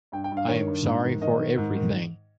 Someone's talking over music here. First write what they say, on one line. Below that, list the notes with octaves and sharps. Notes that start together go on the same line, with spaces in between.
I am sorry for everything.
G2 G5
G5
G2
F5
D#3 C#5
G2
G#2
D#3
D#3 D#5
D#3
G#2
D#3